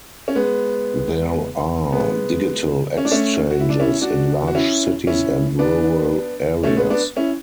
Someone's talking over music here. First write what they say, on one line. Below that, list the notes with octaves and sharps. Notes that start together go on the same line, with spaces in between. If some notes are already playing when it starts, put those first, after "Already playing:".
There are digital exchanges in large cities and rural areas.
C#4
G#3 B3
G#3 B3
C#4
D4
A3 C#4
F#4
E4
D4
C#4 E4
D4 F#4
F#4
C#4 E4
C#4 E4
B3 D4
A3 C#4
G#3 B3
B3 D4
C#4 E4